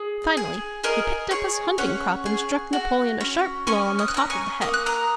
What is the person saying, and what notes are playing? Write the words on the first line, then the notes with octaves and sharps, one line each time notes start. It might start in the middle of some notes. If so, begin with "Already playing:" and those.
Finally, he picked up his hunting-crop and struck Napoleon a sharp blow on the top of the head.
Already playing: G#4
G#4
G#4 A#4 D#5
G#4 C#5
C#4 C#5 F#5
G#4
F#4
C#4
C#4 G#5 C#6
D#6
F#6
C#4 A#5 D#6
G#5 C#6
A#3 D#6
F#6
A#5 D#6